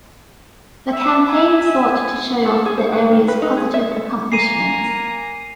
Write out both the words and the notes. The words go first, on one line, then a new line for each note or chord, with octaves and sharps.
The campaign sought to show off the area's positive accomplishments.
E5 E6
G#5
A4
G#4
C5
B4
D#3
B4
D#4
G#4
E5
A4
A#3 G#5 A#5 C7 D#7